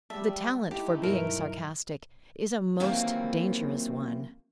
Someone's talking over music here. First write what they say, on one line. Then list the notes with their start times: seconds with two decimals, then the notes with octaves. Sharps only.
The talent for being sarcastic is a most dangerous one.
0.10 G3 G#3 E5 A5
0.71 A3 D#4 E4 G4
1.03 G2 B2 F#3 A#4
2.80 C3 D#3 E3 F#3 A#3 C4